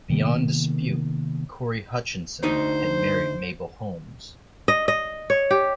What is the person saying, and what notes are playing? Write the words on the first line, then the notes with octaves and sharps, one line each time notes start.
Beyond dispute, Corry Hutchinson had married Mabel Holmes.
C3 D#3 A#3 B3
D2 D#4 C5 D#5
D#5
D#5
C#5
G4